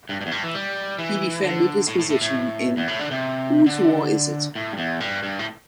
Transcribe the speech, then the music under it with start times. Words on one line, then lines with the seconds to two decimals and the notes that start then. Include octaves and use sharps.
He defended his position in Whose War Is It?
0.09 G2
0.21 G2
0.26 E2
0.31 G2
0.43 E3
0.55 G3
0.98 E3
1.43 D3
1.87 A2
1.99 A2
2.10 A2
2.21 A2
2.77 E2
2.88 A2
2.99 D3
3.11 C3
3.66 D3
4.55 A2
4.73 G2
4.78 E2
5.00 G2
5.23 G2
5.39 A2